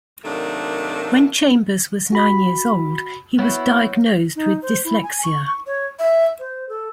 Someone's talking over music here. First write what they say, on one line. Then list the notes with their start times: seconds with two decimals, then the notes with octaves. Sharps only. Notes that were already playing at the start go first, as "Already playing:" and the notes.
When Chambers was nine years old, he was diagnosed with dyslexia.
0.25 C3 D#3 F#3 A3 A#3 D4
2.12 F#4 B5
3.39 B3 E4 F#4 C#5 F#5
4.36 D#4
4.62 C5
4.85 E4
5.03 G#5
5.24 C#6
5.66 C#5
5.99 E5
6.39 C5
6.69 A4